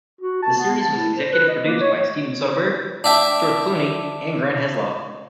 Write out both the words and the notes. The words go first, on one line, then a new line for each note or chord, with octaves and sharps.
The series was executive produced by Steven Soderbergh, George Clooney, and Grant Heslov.
F#4
A5
B3
A5
E4
C5
B4
D#5
A#3
C#5
D4 E5 G5